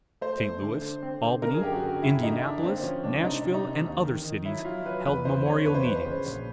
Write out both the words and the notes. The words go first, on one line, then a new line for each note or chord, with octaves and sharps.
St. Louis, Albany, Indianapolis, Nashville, and other cities held memorial meetings.
A3 C5
A3
D3
D3
C4
D3
D3 A#4
G#4
F#2 G4
F#4
D3
F#2 E4
D3 D#4
D3 D4
A#3 C4
F3 C#4
C#2 D4
C3 D#4
C3
D#4
C3
D#2
D#3
D#3
F#3 E4
F#3 F4
F#3 B4
E2 B4
E2 C5
C#3 C#5
E2 B4
C5
E2 B4
C5
C#3
A#1